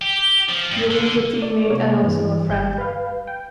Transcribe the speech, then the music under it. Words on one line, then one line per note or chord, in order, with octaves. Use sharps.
You lose a teammate and also a friend.
G4
F3
G2
D3
D5
C3 A#3 C#5
G2 E3
G1 G6
B4 F5
G5